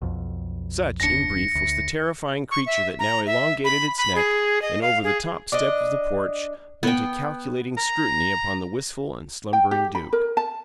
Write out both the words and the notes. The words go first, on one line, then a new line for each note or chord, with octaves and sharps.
Such, in brief, was the terrifying creature that now elongated its neck, and, over the top step of the porch, bent a calculating scrutiny upon the wistful and slumberous Duke.
B1 F2
F#1 D#2 D4 A#6 C#7
D2
C#6
E5
A#5
E5
B5
B5
G#4
D#5
F5
G#4
D4 D#5
B3 G5
A#5
G5
G4
B5
A#4
A5